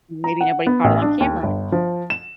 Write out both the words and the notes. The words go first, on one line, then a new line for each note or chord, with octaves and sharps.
Maybe nobody caught it on camera.
A#5
F#5
B3
A1
D4
D#2
G1
F3
E7